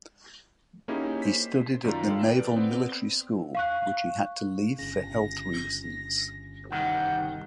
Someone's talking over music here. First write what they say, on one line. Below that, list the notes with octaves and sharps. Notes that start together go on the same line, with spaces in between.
He studied at the Naval Military School, which he had to leave for health reasons.
A#3 C#4 D#4 E4 G4 G#4
C5 B6
F#2 D#3 F4 D5 A#5
A4 D5 F5 G5
B4 D5 G5
B3 C4
F5 C#6 F#6
G1 C#3 A#6
C2 D#3 F#5 G6